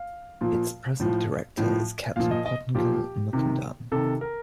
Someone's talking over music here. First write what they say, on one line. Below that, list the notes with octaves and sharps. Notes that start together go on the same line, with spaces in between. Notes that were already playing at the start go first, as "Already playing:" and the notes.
Its present director is Captain Pottengal Mukundan.
Already playing: F5
A#2 F3
A2 F3
A2 F3
A#2 F3 F5
D#5
D#5
A#2 F3 G4
C3 D#3
C3 D#3 A4
A#4